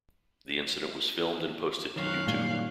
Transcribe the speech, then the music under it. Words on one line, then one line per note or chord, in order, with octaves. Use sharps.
The incident was filmed and posted to YouTube.
F#2 D#3 C#5 F5 F#6
A#2 G3 G#5